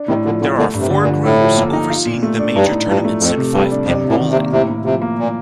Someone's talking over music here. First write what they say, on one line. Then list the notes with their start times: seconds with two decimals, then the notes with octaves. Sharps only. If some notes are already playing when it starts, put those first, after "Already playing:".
There are four groups overseeing the major tournaments in five pin bowling.
Already playing: D4
0.08 A2 C3 D#3
0.25 A#2 D3 F3
0.41 A#2 D3 A3
0.58 A#2 D3 A3
0.74 G2
0.80 C3
0.90 D3
1.02 A#2
1.08 F3
1.24 A2 A4
1.41 F3
1.57 A#3
1.73 D#4
1.90 F4
2.06 A#2
2.23 A3
2.39 D4
2.55 G2 D#4
2.71 A2
2.88 G2 F3
3.05 A3
3.21 F2 A4
3.37 C3
3.53 G2 G3
3.71 D4
3.86 F2 C3
4.04 C3
4.09 A2
4.20 D#3
4.31 C3
4.36 A#3
4.52 A2 C3
4.69 A2
4.85 C3 F3
5.02 A#3
5.18 A#2